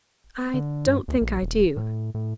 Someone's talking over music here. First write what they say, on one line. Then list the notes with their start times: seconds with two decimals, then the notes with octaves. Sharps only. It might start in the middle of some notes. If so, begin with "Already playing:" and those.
'I don't think I do.
0.54 D3
0.87 G2
1.08 D2
1.21 A#1
1.42 D#1
1.77 A2
2.14 A2